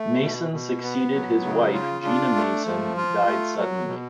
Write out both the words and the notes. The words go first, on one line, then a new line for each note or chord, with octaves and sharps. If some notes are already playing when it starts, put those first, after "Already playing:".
Mason succeeded his wife Gina Mason who died suddenly.
Already playing: A3
B2
B2
B3
F#3
C#3
F4
D4
A3
F3
F4
A3
F#3
B2